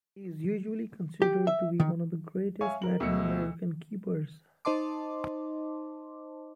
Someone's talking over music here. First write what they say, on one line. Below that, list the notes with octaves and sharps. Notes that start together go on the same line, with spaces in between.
He is usually considered to be one of the greatest Latin American keepers.
G4
E5
D#3
C#5 E5 F5 G#5 C#6
A#4 F#7
D2 B2 G#3 D#5 E6 C#7
D#4 C5 D#5 A5 C6 D6